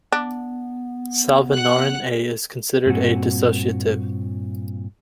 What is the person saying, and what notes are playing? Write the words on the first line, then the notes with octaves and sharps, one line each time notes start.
Salvinorin A is considered a dissociative.
B3 D4
F#5 F#6
G2 A#2 C4 F#4